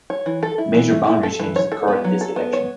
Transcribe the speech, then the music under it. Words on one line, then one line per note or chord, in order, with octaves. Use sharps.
Major boundary changes occurred at this election.
C#5
E3
A4
E4
E3
A3
E4
A4
E3
C#5
A4
B3
F#3
A4
B3
C#5